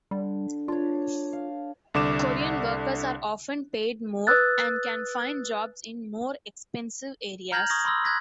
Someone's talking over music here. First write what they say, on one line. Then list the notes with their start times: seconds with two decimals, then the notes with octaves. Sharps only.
Korean workers are often paid more and can find jobs in more expensive areas.
0.11 D3 G3
0.68 D4 F4 C#5
1.33 F5
1.94 C2 D3 D6 E7
4.27 B4 D#6 E6 F#6 A6
7.52 A#5 F6 G6 G#6 A#6 F#7
7.70 C#6 D#6 G#6 A#6
7.85 B5 C6 D#6 E6 A#6
8.04 F#6 G#6 A#6 B6